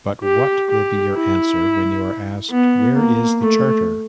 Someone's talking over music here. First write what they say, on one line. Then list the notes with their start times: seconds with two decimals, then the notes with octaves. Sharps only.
But what will be your answer when you are asked: 'Where is the Charter'?
0.24 G4
0.69 G4
1.14 E4
2.51 B3
2.96 A#3
3.41 A3